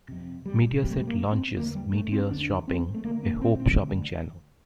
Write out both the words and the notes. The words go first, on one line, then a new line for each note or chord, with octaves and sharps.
Mediaset launches Media Shopping, a hope shopping channel.
F2 C3
G3
F2 C3 G3 A3
G3
A#3
C4
E2 D3 A#3
G3
A3
C4
E2 D3 D4
C4
A3
D2 D3 A#3
A#3
C4
C4
D2 D3